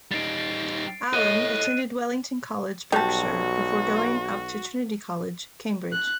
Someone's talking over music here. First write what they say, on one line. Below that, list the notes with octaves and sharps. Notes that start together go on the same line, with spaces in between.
Allom attended Wellington College, Berkshire, before going up to Trinity College, Cambridge.
G3 D#4 A6 C7 D7
A4 C#5 D#5 F#6 D#7
B1 G3 F#4 A5
F#6